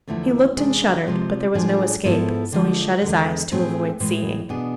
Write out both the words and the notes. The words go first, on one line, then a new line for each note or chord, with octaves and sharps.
He looked and shuddered, but there was no escape; so he shut his eyes to avoid seeing.
E2 D3 F3 A3 E4
E2 C3 G#3 D4 G#4
C3 F3 G#3 C4
A2 F3 G#3 D4 G#4
G#2 F3 B3 E4 A4
D3 F3 G#3
E2 D3 G#3
A2 F3 A3 C4 G#4
A2 E3 G#3
B2 B3 D4 G#4